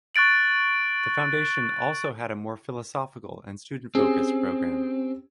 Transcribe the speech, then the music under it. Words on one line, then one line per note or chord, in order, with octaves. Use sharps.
The Foundation also had a more philosophical and student-focused program.
C#6 F#6 A6 D7 F#7
C4 C#4 G4 G#4